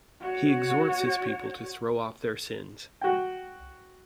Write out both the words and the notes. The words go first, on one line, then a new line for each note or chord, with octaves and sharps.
He exhorts his people to throw off their sins.
F#4 C#5
F#4 G5